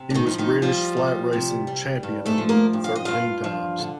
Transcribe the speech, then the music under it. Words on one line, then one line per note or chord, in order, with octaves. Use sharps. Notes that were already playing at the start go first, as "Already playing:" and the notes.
He was British flat racing Champion Owner thirteen times.
Already playing: C3
D4
D#3 D#4
F3
D#3 D#4
F3 G3 F4
G3
C3
G3
G2
A3 A4
F3
A#3 A#4
G2
F5
D#5
G2 F4 F5
F3
D3